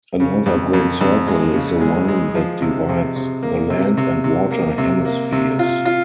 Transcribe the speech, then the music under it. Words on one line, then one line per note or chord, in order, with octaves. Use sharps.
Another great circle is the one that divides the land and water hemispheres.
C#3
F2
F2
F2
G#3
C#3
G#3
G#3
F3
C3
C3
C3
A#3
C3
C3
C3
A#3
C3
A#3
C3
F4
F4